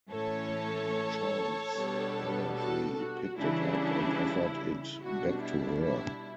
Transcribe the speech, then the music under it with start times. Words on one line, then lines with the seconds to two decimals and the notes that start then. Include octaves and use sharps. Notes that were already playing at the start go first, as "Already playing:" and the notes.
Charles gallantly picked it up and offered it back to her.
0.10 A2 E3 A3 C#4 A4 C#5
1.74 B2 G3 B3 D4
2.56 F#4 A4
2.97 F#4
3.38 C#3 E3 G3 D4 E4
5.02 B2 G3 D4 F#4
5.43 E4
5.83 E4